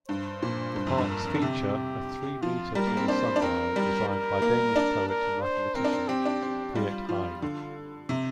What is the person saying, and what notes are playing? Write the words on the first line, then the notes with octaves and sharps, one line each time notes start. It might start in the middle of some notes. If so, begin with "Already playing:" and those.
The parks feature a three-meter-tall sundial designed by Danish poet and mathematician, Piet Hein.
G2 C5
A#2
G2
F2
G2
A#4
D3
C3 G4
F3 F4
G3 A#4
A#3
C4
D4 C5
D4
C4 A#4
G3
A#4
A#3
D4
A#4
C5
C4 A#4
D4
C4
C4 G4
D4
C4
G3 F4
F3 F4
D3 F4
C3